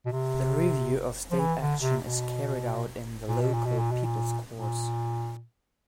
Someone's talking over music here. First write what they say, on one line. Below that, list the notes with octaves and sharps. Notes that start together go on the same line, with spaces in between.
The review of state action is carried out in the local people's courts.
B2
C3
F3
E3
D3
C3
B2
A#2
B2
A#2
B2
A#2
B2
A#2
A#2